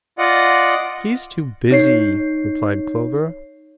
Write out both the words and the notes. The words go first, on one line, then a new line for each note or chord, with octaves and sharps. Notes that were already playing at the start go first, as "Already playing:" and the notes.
"He's too busy," replied Clover.
F4 D5 D#5 F#5
D#4 C#5 C7